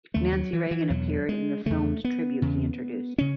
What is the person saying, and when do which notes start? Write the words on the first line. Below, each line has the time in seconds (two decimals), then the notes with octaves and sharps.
Nancy Reagan appeared in the filmed tribute he introduced.
0.14 D#2 C#3 A3
0.33 F#3
0.53 E3
0.71 E3
0.90 E2 B2 F#3
1.29 G#3
1.66 E2 C#3 A3
2.05 B3
2.42 E2 C#3
3.18 C#3 C#4